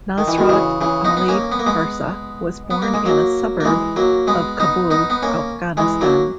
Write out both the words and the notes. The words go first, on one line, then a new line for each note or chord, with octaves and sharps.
Nasrat Ali Parsa was born in a suburb of Kabul, Afghanistan.
D#3
E3
B2 D#3
C#3 E3
C#3 E3
B3 D#4
B3
A#3 C#4
B3
A#3
G#3 B3
B3
A#3
G#3
F#3 A#3
A#3
E3 G#3
F#3 A#3
G#3 B3
B3 D#4
B3 D#4
B3
A#3 C#4
E3 G#3
F#3 A#3